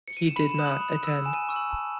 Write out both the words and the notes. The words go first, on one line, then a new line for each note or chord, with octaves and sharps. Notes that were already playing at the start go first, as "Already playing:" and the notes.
He did not attend.
C#7
D#7
E7
B5 F#7
E7
D#6 F#6
F#7
B5
E6
G#5 E7
D#7
E7
C#6 E6
F#7
A5